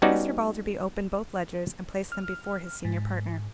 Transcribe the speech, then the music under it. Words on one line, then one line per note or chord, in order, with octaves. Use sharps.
Mr. Balderby opened both ledgers, and placed them before his senior partner.
G3 B3 C#4 D#4 F#4 D5
F6
G#2